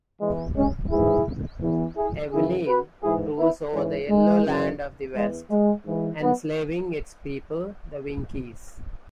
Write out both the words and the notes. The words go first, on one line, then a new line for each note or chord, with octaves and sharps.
Evillene rules over the yellow land of the west, enslaving its people, the Winkies.
E2 E3 G#3
G#3 C#4
G#2 E3 E4 G#4
E2 E3
E4 G#4
F#2 C#3 E3 E4 G#4
F#4 B4
G#2 E3 E4 G#4
B3 E4
G#2 E3 G#3 C#4
G#3
F#2 C#3 E3
E2 E3 G#3
G#3
G#2 E3
F#3 B3